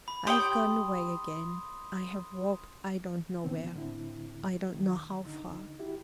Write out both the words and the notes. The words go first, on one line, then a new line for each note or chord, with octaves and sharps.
I have gone away again--I have walked, I don't know where, I don't know how far.
B5
G4 C#5 G5 C6 D#6
A#2 D3 D#3 B3 C4
A2 D3 C4 E4
D#3
D3 D#4
E4 F#4 G4